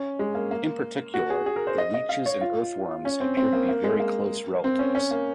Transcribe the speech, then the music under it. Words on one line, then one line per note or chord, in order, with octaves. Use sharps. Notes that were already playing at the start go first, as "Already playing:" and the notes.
In particular, the leeches and earthworms appear to be very close relatives.
Already playing: C#4
G#3
A#3
A#3
F#4
G#4
G#4
A#4
C5
D#5
D#5
F5
C#5
F4
C#4
C4
C4
A#3
A#3
G#3
A#3
C4
C#4
C#4
A#3